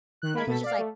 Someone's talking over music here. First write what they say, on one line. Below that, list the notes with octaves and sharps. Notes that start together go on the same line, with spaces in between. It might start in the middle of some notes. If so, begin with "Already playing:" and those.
And it's just, like,
D#3 F#6
A#3 B5 G#6
B2 A4 B6
D5 F5
A3